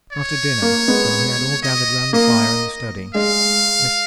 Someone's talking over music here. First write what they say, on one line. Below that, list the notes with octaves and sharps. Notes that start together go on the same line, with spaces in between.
After dinner, when we had all gathered round the fire in the study--Mrs.
C#5
A#3
G#3 B3
D#5
A#3 D#5
G#3 F5